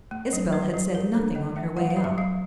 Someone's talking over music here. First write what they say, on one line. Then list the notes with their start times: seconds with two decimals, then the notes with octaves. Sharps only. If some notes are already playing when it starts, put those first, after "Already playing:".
Isabel had said nothing on her way up.
0.11 A3
0.33 F#3
0.53 F#3 B4
0.74 F#3
0.94 F#3 A#4
1.14 D4 A4
1.35 A3 D#5
1.56 A3 E5
1.77 F#3 F#5
1.90 F5
1.97 F#3
2.04 E5
2.18 F#3 F5